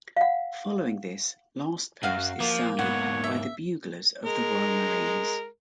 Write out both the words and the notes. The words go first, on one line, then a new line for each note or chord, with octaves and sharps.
Following this, "Last Post" is sounded by the buglers of the Royal Marines.
F5 F#5
F#2 F#4 F5
F3 A#3
G#2 B2 C#5 F#5
E5
G#3 A#4